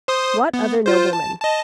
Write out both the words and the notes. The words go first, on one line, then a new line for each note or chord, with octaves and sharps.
"What other nobleman?"
C5 C6 D#6
B3
F4 C5
A5
D#5 A5